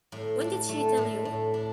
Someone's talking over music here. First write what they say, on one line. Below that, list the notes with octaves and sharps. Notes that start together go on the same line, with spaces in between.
When did she tell you?
A2
D4
A3
A2
A2
D4